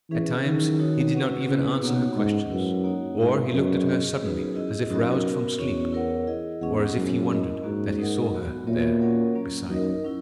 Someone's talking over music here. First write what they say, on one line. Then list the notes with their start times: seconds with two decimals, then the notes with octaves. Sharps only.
At times he did not even answer her questions, or he looked at her suddenly as if roused from sleep, or as if he wondered that he saw her there beside him.
0.11 E3 C#4 G#4 B4 E5
0.45 D#3 F#3 C#4 E4 G#4
0.79 D#4 F#4 C#5
1.14 C#4 F#4 B4 F#5
1.48 C#3 B3 E4 G#4 B4
1.82 B2 A#3 D#4 F#4 C#5 F#5
2.16 G#2 C#4 G#4 D#5 F#5
2.50 F#2 E4 B4 F#5
2.84 A#3 D#4 F#4 C#5 F#5
3.18 G#2 E4 A#4 E5
3.53 F#2 C#4 G#4 B4 D#5
3.88 C#4 G#4 D#5
4.22 F#2 B3 D#4 G#4 B4
4.56 E4 G#4 D#5
4.90 F#2 D#4 F#4 A#4 D#5
5.24 B3 F#4 A#4
5.59 E2 C#4 F#4 C#5
5.92 E4 A#4 C#5 F#5
6.27 E4 G#4 D#5
6.61 E2 C#4 G#4 D#5 F#5
6.95 F#2 G#3 B3 E4 G#4
7.30 E4 A#4 D#5
7.63 G#2 A#3 C#4 F#4
7.99 D#4 A#4 D#5 F#5
8.32 F#3 B3 F#4
8.66 A#2 B3 F#4 A#4 C#5 E5
9.01 C#4 F#4 A#4 C#5 F#5
9.35 F#3 A#3 C#4
9.69 F#2 D#4 A#4 D#5
10.04 F#3 C#4 E4